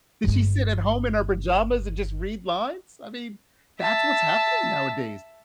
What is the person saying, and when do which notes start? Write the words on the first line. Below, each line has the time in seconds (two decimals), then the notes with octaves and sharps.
Did she sit at home in her pajamas and just read lines? I mean, that's what's happening nowadays.
0.24 G1 G#3
3.80 E5 A5